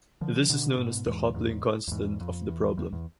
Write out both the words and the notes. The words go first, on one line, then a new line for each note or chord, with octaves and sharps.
This is known as the Coupling constant of the problem.
D3 F3
B2 D3
G#2 B2
E2 G#2
E2 G#2
F2
E2 G#2
F2
E2
E2
E2